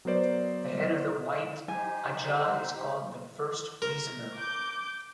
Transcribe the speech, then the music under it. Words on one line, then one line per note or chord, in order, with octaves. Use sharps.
The head of the White Ajah is called the First Reasoner.
F#3 B3 A#4 C5 D5
D#4 G4 C5 G#5
A#4
D6 G6